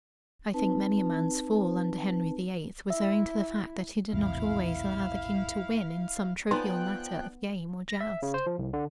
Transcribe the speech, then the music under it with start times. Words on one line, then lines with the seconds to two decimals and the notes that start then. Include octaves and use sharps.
I think many a man's fall, under Henry VIII, was owing to the fact that he did not always allow the king to win in some trivial matter of game or joust.
0.53 C4 D#4 B4 A5
2.90 E4 E5
4.13 A#1 E2 A2 C3 E4 F5
6.51 F3 B3 D#4 D5 G5 G#5 C6 F#6
7.89 A#6
8.01 E5
8.22 C#3
8.34 C5
8.46 F3
8.59 C2
8.73 D3